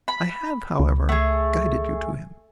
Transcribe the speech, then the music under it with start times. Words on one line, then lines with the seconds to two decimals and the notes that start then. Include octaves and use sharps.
I have, however, guided you to him.
0.08 B5
0.79 C#2
1.09 A3 G#4